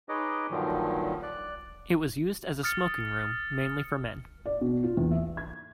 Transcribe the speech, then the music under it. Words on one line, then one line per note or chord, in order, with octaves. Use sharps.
It was used as a smoking room mainly for men.
D#4 G#4 B4 C#5 D#5 D6
G2 A#2 D3 D#3 F3 F#3
D5 F#6
D#6 F6 A6 C#7
D5
B2
F4
E2
E5
G#6